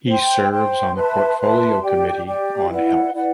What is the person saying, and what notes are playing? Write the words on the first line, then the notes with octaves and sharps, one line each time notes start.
He serves on the Portfolio Committee on Health.
C5 G5 C6
C5 G5 C6
B4 E5 A5 C6
B4 E5 A5 C6
G4 D5 G5
G4 D5 G5
E4 B4 D5 F#5
E4 B4 D5 F#5